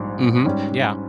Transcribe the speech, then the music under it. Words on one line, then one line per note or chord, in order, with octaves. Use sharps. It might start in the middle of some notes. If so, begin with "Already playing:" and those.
Mhm. Yeah.
Already playing: A#1 G#2 G3
G#2 G3 C#4